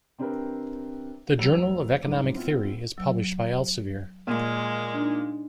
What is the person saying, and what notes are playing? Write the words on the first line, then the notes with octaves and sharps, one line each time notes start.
The "Journal of Economic Theory" is published by Elsevier.
C3 C4 D4 G4 A#4 B4
F2 F#3 G3 E6 F7
F1
D1 C2 G#2 D6
B3 C4 E4 F4
F#3 E6
A#2 G#3
D4 D#4